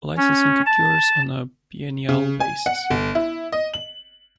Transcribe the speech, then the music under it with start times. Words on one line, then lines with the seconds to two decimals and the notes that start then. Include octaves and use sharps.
Licensing occurs on a biennial basis.
0.17 C#4
0.66 A5
2.09 C#3
2.40 G#5
2.66 F#5
2.90 G1
3.15 E4
3.52 D#5
3.74 F#7